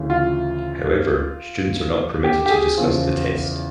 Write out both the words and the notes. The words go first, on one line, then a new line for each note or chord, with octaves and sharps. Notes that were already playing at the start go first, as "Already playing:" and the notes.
However, students are not permitted to discuss the test.
Already playing: D2 C#3 E3
F4
G4
G4
G#4
E2 C#3 F3